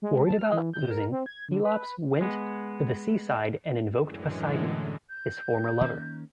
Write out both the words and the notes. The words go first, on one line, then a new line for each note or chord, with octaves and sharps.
Worried about losing, Pelops went to the seaside and invoked Poseidon, his former lover.
G#3
A5
F6
E3
G6
A#4
C4
G#6
D3
B4
B4
G#3 B3
F#2 A2 D3 E3 G#3
G6
D#3 A#3 C#4